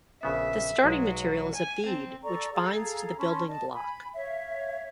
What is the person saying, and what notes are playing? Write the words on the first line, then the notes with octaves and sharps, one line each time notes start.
The starting material is a bead which binds to the building block.
A#1 C#3 B3 E5
B1 F#3 G#3
G#5
C4 A5
A4 D5 A#5 C#6
G#4 A4 F5 A#5
C#4 A5 B5 C6
D5 D#5 A5
G#5 B5
C#5 E5 F5